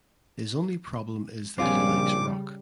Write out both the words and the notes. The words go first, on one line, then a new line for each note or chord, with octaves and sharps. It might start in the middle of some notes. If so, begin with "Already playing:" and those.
His only problem is that he likes rock.
A#1 C#3 G3 C4 F4 G#4 D6